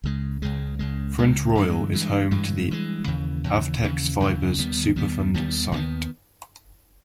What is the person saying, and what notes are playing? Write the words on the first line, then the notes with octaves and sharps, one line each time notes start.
Front Royal is home to the Avtex Fibers Superfund Site.
C#2 C#3 G#3
C#2 C#3 G#3
C#2 C#3 G#3
C#2 C#3 G#3
G2 E3 G#3
G2 E3 G#3
G2 E3 G#3
G2 E3 G#3
D#2 C#3 E3
D#2 C#3 E3
D#2 C#3 E3
D#2 C#3 E3
D#2 D#3 G3 B3
D#2 D#3 G3 B3
D#2 D#3 G3 B3
D#2 D#3 G3 B3